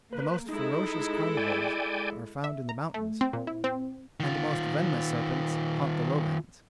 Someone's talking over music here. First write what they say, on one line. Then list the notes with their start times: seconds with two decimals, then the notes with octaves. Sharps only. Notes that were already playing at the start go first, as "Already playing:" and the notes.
The most ferocious carnivores are found in the mountains, and the most venomous serpents haunt the lowlands.
0.13 A#3 B4
0.49 G#3 D#4 E4 A4
1.37 D5 G5 G#5
2.44 E5
2.69 A#5
2.94 A3
3.21 C4
3.33 A#2
3.47 E4
3.64 C4
4.20 D#3 F4